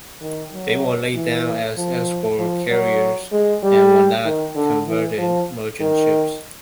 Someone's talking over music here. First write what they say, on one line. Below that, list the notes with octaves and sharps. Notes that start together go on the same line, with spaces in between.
They were laid down as escort carriers and were not converted merchant ships.
D#3
F#3
E3
F3
F3
F#3
G#3
G3
D#3
D3
E3
F3
D#3